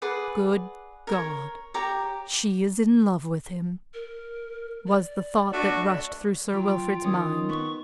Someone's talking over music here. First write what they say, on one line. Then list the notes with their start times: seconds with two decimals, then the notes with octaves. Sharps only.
"Good God! she is in love with him!" was the thought that rushed through Sir Wilfrid's mind.
0.02 G#4 B4 D5 F#5
1.07 A#4 C#5
1.74 G4 C#5 A#5
3.94 A#4
4.87 D5
5.52 A3 D4 F#4
6.53 F#3 F4 G5
7.05 D#3 C#4 D#6
7.49 B3 C#6